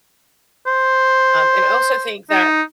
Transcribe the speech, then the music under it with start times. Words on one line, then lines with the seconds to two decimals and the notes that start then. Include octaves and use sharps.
um, and I also think that,
0.67 C5
2.30 D#4